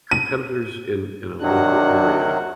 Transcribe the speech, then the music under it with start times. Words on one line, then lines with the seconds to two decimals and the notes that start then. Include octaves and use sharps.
competitors in in a local area,
0.11 D#7
1.42 C3 D#3 F#3 D4 F#4 F#5